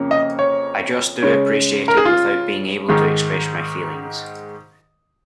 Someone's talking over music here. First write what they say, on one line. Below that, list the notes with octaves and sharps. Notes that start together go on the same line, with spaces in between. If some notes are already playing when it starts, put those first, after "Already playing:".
I just do appreciate it without being able to express my feelings.
Already playing: F2 C#3 A#3 C#4
D#5
C#5
C#3 G#3 C#4
A#4
G#4
F4
G#2 D#3 G#3